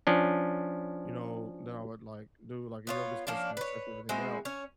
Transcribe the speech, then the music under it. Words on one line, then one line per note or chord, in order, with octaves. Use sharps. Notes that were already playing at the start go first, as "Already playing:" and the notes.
you know, then I would, like, do, like, a yoga session to stretch everything out,
F3 C#4 D4
B3 F4 C#5
F3 A#3 C#4 D4
B4 C#5
G#3 C4 E4 F#4
C#4 C#5